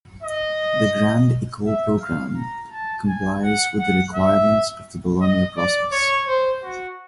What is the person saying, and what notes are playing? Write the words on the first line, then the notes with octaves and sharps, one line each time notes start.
The Grande Ecole programme complies with the requirements of the Bologna Process.
D#5
E5
F5
A#5
A5
G#5
F#5
F#5
E5
D#5
D5
C#5
C5
F#4